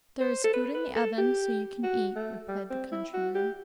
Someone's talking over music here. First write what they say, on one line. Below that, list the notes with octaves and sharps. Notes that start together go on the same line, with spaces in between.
'There is food in the oven, so you can eat,' replied the countryman.
C5
A4
B4
B4
A4
G4
F#4
A3
G3
C4
E4
F#4
G4